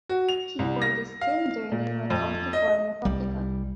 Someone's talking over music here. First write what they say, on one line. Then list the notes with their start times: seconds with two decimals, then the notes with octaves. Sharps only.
Keyboardist Tim Dorney went on to form Republica.
0.09 F#4
0.29 F7
0.59 C2
0.82 A#6
1.21 F5
1.72 A#2
2.10 F2
2.53 D#5
3.05 C2 G3